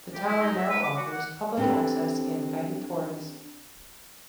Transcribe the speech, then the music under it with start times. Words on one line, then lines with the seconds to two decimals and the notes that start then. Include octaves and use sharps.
The tower now offers public access and guided tours.
0.14 G4
0.27 E4
0.40 D#4
0.57 E5
0.70 B4
0.83 D6
0.97 F#4
1.11 F#5
1.57 C4 D4 G4 A4 B4